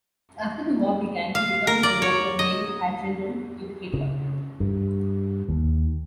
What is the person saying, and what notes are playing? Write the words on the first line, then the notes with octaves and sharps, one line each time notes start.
After the war began, he returned to the role of naval adjutant to Hitler.
F5
A#4
D5
C#5
D#5
C#3
G2
D#2